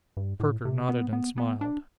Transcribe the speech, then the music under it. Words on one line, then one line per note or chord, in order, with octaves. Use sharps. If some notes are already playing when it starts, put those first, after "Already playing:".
Perker nodded and smiled.
G2
A2
C3
B3
B3
B3
D4